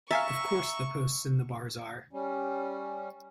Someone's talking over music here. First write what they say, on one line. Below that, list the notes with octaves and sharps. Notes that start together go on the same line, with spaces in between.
Of course the posts and the bars are!
E5 F5 G#5 A#5 C#6 E6 A6
G3 C#4